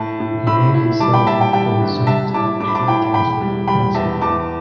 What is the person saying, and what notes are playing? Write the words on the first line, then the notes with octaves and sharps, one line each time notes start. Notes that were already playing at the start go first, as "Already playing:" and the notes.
He named the settlement for his hometown of Greencastle, Pennsylvania.
Already playing: A2 A5
A2
A2 B5 E6
E4
G3 A5 D6
G5 B5
G3 E5 A5
G5
G3 G5
G1
G3 E5 A5
E4 A5 D6
A2 D6
B5
A5 D6
E4 G5 B5
E1 G5 B5
G3
G3 G5 B5
E2 E5 A5
E2 A5 D6